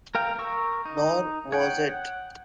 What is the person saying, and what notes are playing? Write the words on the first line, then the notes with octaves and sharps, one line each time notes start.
Nor was it.
A#4 F5 G5
A#4 C#6 E6
D#4
C#5 F#5 G5
F#5